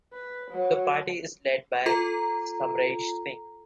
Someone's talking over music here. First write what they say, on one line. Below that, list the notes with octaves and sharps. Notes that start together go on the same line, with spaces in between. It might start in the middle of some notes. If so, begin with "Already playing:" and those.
The party is led by Samresh Singh.
B4
F#3
F4 A4 A#5